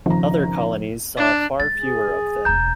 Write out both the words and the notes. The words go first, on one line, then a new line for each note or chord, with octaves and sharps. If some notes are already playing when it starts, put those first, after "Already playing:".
Other colonies saw far fewer of them.
G#1 C#3 F3 A#5
D4
G#3 A6
G#4
E1 D2 A#5 G6